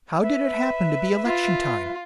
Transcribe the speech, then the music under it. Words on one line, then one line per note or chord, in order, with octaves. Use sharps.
How did it happen to be election time?
B4 E5
F4